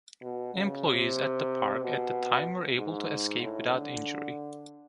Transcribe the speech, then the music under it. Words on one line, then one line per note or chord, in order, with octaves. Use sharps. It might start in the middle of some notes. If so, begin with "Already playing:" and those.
Employees at the park at the time were able to escape without injury.
B2
C#3
C3
B2
G#2
A2
D3